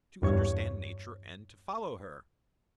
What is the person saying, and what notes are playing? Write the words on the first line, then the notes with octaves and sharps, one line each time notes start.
To understand Nature, and to follow her!
E2 G2 C#5